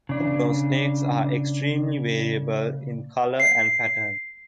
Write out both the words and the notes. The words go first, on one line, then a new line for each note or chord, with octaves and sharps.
Hognose snakes are extremely variable in color and pattern.
C#3 D4
C7